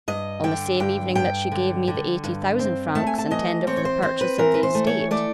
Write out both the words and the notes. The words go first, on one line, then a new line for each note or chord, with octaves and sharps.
"On the same evening that she gave me the eighty thousand francs intended for the purchase of the estate."
G2 D#5
D3 G5
G2 G5
G2 G5
D3
D3
G2
C4
A3 A5
G#5
A5
E3 D#5
C4 C#5
C#5
C5
C4 C5
B4
E3 A#4
B4
C5
A3
C#5
A3 D5